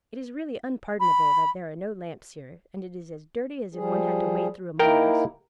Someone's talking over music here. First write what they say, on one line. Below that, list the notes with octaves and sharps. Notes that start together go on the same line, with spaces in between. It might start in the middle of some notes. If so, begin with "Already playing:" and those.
"It is really unpardonable that there are no lamps here; and it is as dirty as if one had to wade through a morass."
B5
F3 G3 G#4
A#3 D#4 E4 A#4 G5